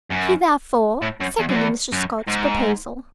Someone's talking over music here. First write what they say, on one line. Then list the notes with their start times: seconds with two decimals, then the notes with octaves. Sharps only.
He therefore seconded Mr. Scott's proposal.'
0.11 F#2
1.02 A2
1.20 F#2
1.39 E2
1.49 F#2
1.56 E2
1.92 F#2
2.28 G#2